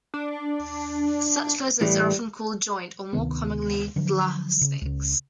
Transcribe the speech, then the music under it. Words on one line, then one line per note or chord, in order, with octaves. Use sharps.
Such lizards are often called joint, or, more commonly, glass snakes.
D4
A2 E3 G3
D2 C3 D#3 B3
D3 F3 F#3
C#3
C#2 C#3